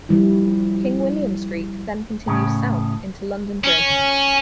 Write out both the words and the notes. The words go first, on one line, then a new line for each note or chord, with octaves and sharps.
King William Street then continues south into London Bridge.
F3 G3 E4
A2 C#3
C#4